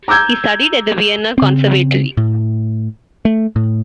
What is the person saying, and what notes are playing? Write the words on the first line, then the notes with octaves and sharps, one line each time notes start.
He studied at the Vienna Conservatory.
A#5 D6 E6 G6 G#6
C#3 C4
A2
A3
A2